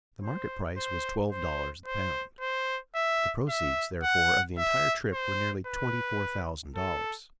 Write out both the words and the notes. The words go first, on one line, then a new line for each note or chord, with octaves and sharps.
The market price was twelve dollars the pound. The proceeds, therefore, of the entire trip were nearly twenty-four thousand dollars.
C5
C5
C5
C5
C5
E5
E5
F#5
E5
C5
B4
A4